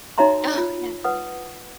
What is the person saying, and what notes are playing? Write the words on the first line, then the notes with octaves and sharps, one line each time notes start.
Oh, yeah.
D#4 F#4 C#5 E5 A#5 C6
F4
B4 F#5 D#6